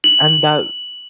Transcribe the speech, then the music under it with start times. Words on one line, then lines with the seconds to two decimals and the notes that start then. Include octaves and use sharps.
And that
0.04 F#7